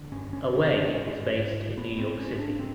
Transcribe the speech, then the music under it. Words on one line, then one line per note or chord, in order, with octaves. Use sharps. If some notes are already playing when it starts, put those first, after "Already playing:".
Away is based in New York City.
Already playing: D3
G2 C#4
C#4
G2 C#4
D4
G#2 C#4
G#2
G#2 B3
C4
G#2 C#4
D4
C4